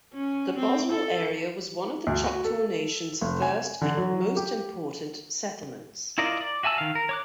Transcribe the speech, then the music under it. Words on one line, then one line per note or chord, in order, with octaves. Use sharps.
The Boswell area was one of the Choctaw Nation's first and most important settlements.
C#4
C4
A4
D2
F#4
A4
F1
G#5
D3
F#3
G4
E4 F4 A#4 D5 D#5
D5
F#4 E5 G#5 A5 E6
D#3 F5
A#4
C#5 D6 F#6